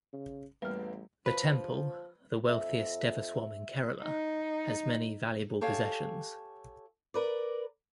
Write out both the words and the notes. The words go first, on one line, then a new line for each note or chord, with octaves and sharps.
The temple, the wealthiest Devaswom in Kerala, has many valuable possessions.
C#3
A1 E2 G3 A3 A#3 B4 F6
F3 B4
F2 E5
D#4
G4 A4 C#5 F5 G#5
A#4 B4 D5